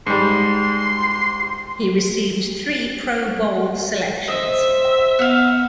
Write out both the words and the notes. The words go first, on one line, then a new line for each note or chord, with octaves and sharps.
He received three Pro Bowl selections.
G#2 G3 C6
C5 D#5 E5
B3 F5 F#5